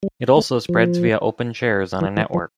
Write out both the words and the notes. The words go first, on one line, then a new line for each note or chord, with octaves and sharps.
It also spreads via open shares on a network.
G3
A3
F3
E3
E3
F3